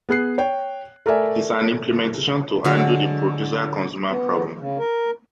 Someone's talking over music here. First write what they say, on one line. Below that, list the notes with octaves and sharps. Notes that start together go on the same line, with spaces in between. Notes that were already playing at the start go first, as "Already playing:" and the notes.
It is an implementation to handle the Producer-consumer problem.
B3 G#4 F#6 C7
C#5 G5
A3 A#4 D5 E5 G#5
D3 F#3 G#3
B3
C#3
A#4